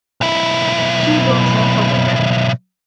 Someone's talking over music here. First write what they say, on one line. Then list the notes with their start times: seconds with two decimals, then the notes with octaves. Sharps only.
She is also a photographer.
0.21 B1 E4